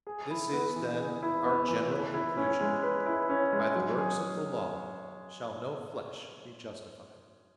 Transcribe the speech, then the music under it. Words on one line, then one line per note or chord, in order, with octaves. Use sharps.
This is, then, our general conclusion: "By the works of the law shall no flesh be justified."
G#4
E4
B3
E3
G#4
E4
B3
E3
B4
E4
C#4
G#3
B4
E4
C#4
G#3
F#3
G#4